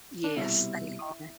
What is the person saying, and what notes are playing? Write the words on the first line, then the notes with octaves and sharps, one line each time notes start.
Yes, they are.
D4
C2 B2 G3 C4 E4